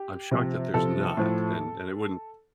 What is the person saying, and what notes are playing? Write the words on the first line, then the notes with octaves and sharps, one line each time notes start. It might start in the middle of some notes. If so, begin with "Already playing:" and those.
I'm shocked that there's not, and and it wouldn't
Already playing: G4
C3 F3
C3 F3 A4
A2 F3